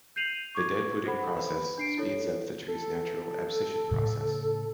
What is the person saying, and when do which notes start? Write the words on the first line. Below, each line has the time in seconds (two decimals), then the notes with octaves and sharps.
The deadwooding process speeds up the tree's natural abscission process.
0.16 G6 C7 D#7 F7 F#7
0.55 C#6 D6 G#6
1.05 A4 C5 F#5 B5
1.35 B4 B5
1.78 D4 C7 D7
1.98 E4 A4 C#5
2.68 A4
3.91 A2 C#3